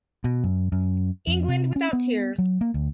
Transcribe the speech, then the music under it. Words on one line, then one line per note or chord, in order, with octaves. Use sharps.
"England Without Tears".
B2
F#2
F#2
F2
C3
C#4
B3
F#3
A#3
D2